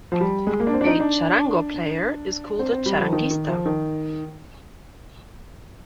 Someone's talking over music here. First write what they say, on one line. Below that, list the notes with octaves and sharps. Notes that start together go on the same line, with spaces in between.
A charango player is called a "charanguista".
F3
G3
G#3
A#3
D4
C4
D4
D#4
D4
C4
C4
G3
F3
D#3
D#3
F3
D#3